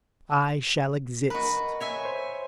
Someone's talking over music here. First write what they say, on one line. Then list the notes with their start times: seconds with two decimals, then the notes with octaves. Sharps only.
I shall exist.
1.30 F#4 A#4 B4 D#5
1.80 C#5 E5 G#5
2.05 C5